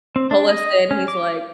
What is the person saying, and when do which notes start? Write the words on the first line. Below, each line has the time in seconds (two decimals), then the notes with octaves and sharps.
pull us in. He's like
0.16 C4
0.31 D4
0.49 D#5
0.91 C#4
1.08 D6